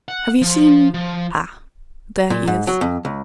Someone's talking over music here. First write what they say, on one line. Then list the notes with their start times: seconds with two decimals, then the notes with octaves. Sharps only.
Have you seen--ah! there he is.
0.08 F#5
0.42 F3
0.94 F3
2.30 A#2
2.47 G#2
2.67 F#3
2.81 F2
3.05 C#2